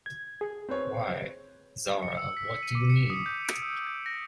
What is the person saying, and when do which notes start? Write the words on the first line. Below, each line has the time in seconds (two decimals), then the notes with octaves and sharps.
Why, Zahra, what do you mean?
0.06 G#6
0.41 G#4
0.69 C4 B4 C#5
2.03 C#7
2.17 E6
2.37 B6
2.63 D#7
2.75 D6
2.90 C#7
3.10 D#6
3.26 G6
3.45 D7
3.62 E6
3.87 G6
4.06 A#6